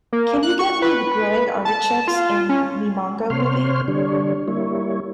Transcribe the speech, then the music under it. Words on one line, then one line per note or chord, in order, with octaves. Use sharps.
Can you get me the Growing Artichokes in Mimongo movie?
A#3
F#6
C#6
B4
A5
F4
C#4
C3 C5 C#5 C6 F6
D3 G3 D4 C#5
G3 A#3 E4 C#5